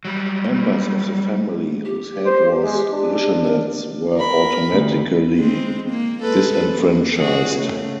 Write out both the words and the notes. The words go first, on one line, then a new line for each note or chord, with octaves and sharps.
Members of the family whose head was "lishenets" were automatically disenfranchised.
F#3 G3
G4
C5
G#3
D4
A#4
A#4 B5
D2
G#3 C4
A#3
G#3 A4 B4
A#3
F#4 G#4
C#3 A3